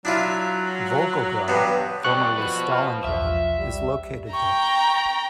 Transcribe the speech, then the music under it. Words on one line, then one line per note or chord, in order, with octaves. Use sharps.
Volgograd, formerly Stalingrad, is located there.
F#3 D4 E4 F4
G2 B3
G3 C4 C#6 F#6
F3 F#4 B4
F6
B1 E2 E5
G3
G5 A#5 C#6